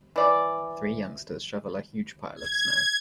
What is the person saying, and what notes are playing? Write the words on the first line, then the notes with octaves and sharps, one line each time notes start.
Three youngsters shovel a huge pile of snow.
E3 D5
G#6